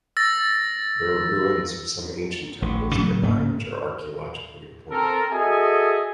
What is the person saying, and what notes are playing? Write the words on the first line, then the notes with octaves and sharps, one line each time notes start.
There are ruins of some ancient temples nearby which are archaeologically important.
E6 A6 A#6
A1
A2 C#3 F#3 A3
G#2 C#3 A#3 C#4
C4 A4 A#4
F#4 G#4 A4 D#5 E5 G#5